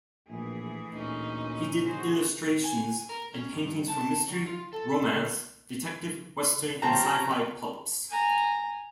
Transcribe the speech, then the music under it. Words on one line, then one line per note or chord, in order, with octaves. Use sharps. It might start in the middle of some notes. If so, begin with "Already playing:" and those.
He did illustrations and paintings for mystery, romance, detective, western, and sci-fi pulps.
A#1 A2 E3 G#4
D2 A#2 C#4 D#4
F#4 G#4 C5
G#5
A#4
C#4
G2
A5
F#3
F4
A4
F3 C#4 F4 G4 C5 G5 A5 A#5
G#5 A#5